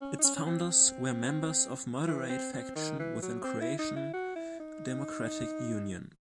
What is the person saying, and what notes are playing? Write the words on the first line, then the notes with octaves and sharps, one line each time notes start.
Its founders were members of moderate faction within Croatian Democratic Union.
C#4
D#4
C#4
C#4
C4
E3
C4
C4
D#3
E3
F#3
C4
E4
D#4
E4
F#4
E4
D#4